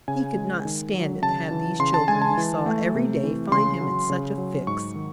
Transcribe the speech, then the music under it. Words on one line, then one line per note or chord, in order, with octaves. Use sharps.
He could not stand it to have these children he saw every day find him in such a fix.
C#3 G#5
G#3
D#3
F#3
C#3 A5
E3
C#3 C6
A5
G#3 G#5
A5
E3
A3
C3
E3
C#3 C6
F#3
C#3
F#3
G#2 C#6
D#3